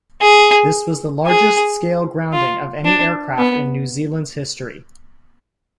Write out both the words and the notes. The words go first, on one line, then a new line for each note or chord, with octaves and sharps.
This was the largest-scale grounding of any aircraft in New Zealand's history.
G#4
G#4
F4
D4
B3